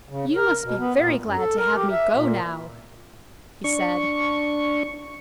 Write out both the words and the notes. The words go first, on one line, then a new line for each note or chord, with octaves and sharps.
"You must be very glad to have me go now," he said.
C#3
A#4
B2
B3
A#2
F#2
A4
A#4
G4
E5
A#2
D4 C#6